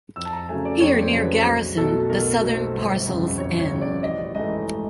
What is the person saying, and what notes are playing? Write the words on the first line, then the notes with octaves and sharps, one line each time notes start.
Here, near Garrison, the southern parcels end.
F2 E6
A5
A#5
C#3 F#3 A3 G#5
D5
F2 C#5
C5
C#3 F#3 A3
B4
B1
B2 F#3 A3 A4
B1 A#4
A#4
B2 F#3 A3
C5
G1
F2 C#3
G1 C#5
C#5
F2 C#3
D5
A1 D#5
G#2 E3 A3 D#5